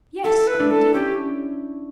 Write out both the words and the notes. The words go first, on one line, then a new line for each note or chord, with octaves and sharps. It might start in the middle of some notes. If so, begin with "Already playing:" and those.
'Yes, empty.
E4 A4
B4
E4
D4
A4
C#4 G4